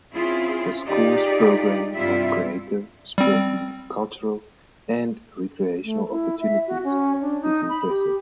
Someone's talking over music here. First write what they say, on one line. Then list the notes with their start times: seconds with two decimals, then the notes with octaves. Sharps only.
The School's programme of creative, sporting, cultural and recreational opportunities is impressive.
0.13 C4 C#4 E4 F4 G#4
0.86 D#4 F4 G4 G#4 D5
1.96 G2 C3 G3 E4 F4 E5
3.18 G3 C4
5.84 A3
6.11 E4
6.41 E5
6.68 F#4
6.84 C#4
7.21 D4
7.41 D#4
7.69 B5
7.88 G4